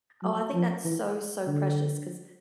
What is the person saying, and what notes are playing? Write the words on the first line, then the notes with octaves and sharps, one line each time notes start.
oh, I think that's so, so precious 'cause,
F#3
F3
E3
D3